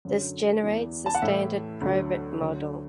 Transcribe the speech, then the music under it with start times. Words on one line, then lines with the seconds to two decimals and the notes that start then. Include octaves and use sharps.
This generates the standard probit model.
0.05 F#2 D3 F#3
0.64 E2 E3
1.06 A5
1.15 F#5
1.22 A2 E3 E5
1.81 D2 D3 F#3
2.40 D2 D3 F#3